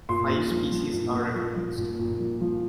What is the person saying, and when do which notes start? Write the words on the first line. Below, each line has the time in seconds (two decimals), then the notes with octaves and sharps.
Five species are recognized.
0.09 A#2 C6
0.29 A#2
0.51 F3
0.72 F3
0.93 A#2
1.14 A#2
1.35 F3
1.56 F3
1.77 A#2
1.99 A#2
2.20 F3
2.41 F3